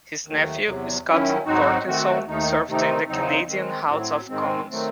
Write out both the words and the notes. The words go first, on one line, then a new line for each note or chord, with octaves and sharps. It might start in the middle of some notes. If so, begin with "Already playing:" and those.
His nephew Scott Thorkelson served in the Canadian House of Commons.
D#2 D#3 F#3 A3
E2 C3 F#3
D#3 F#3 C#4 E4
G#2 F#3 C4 D#4 F#4
D#3 A3 C4 F#4
D#2 D#3 A3 D#4
C3 D#3 A3 C4 D#4
E2 C#3 F#3 C4 D#4
D#3 G#3 C4
A2 F#3 C4
G#2 D#3 G#3 C4
D#3 F#3 A3 C4